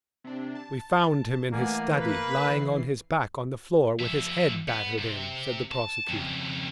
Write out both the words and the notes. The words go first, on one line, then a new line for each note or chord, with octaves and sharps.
"We found him in his study, lying on his back on the floor, with his head battered in," said the prosecutor.
C3 D4
A5
E3 A3 A#3 D5 F#5 G#5
B4
C#3 E3 C7
F3 E5
B3
C3
A5
F2 C#3